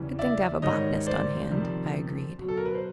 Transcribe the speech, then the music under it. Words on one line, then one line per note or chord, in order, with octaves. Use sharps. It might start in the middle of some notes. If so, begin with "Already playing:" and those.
"Good thing to have a botanist on hand," I agreed.
Already playing: E2 C#3 E3 G3
D5 E5
G#2 D#3 G3 C#5 D#5
C5 D5
F2 C3 D#3 G3
B2 F#3
A4
A#4
B4
C5